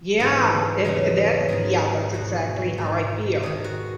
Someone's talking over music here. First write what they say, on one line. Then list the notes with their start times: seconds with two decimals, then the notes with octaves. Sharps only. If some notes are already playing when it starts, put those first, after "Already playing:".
yeah, and and that's yeah, that's exactly how I feel.
0.20 G#2 E3 G#4
0.85 E2 C#3 E3
1.49 G#2 D#3 G#4
2.14 E2 B2 F#4
2.78 G#2 D#3
3.43 G#2 D#3 G#4
3.64 F#4